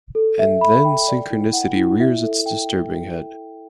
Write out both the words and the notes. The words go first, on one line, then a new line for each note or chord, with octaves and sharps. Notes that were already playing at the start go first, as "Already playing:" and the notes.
And then synchronicity rears its disturbing head.
A4
E5
B5
G5
D5
E4
F#5
E4
E5
A4
G5